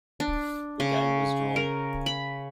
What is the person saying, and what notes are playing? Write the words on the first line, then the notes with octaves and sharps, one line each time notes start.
The game was drawn.
D4
C#3
A#4
B5